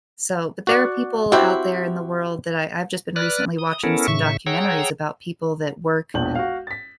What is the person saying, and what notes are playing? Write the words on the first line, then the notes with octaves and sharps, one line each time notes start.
so But there are people out there in the world that I I've just been recently watching some documentaries about people that work,
F#4 D5 F#5
C4 E4 F#4 G4 C5
B4 D5 F6 F#6
D#6
B3 C#4 E4 A4 A#4
A2 C#3 E5 C#6
G#4 C#5 F#5 G5 A#5 E6
E1 A#1 E2 D4 G6 F#7
F#4 F5
A6 B6